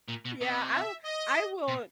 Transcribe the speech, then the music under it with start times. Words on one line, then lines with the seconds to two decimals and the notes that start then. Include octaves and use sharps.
Yeah, I will I will
0.08 A#2
0.25 B2
0.40 C3 D#5
0.72 E5
1.05 D#5
1.68 B2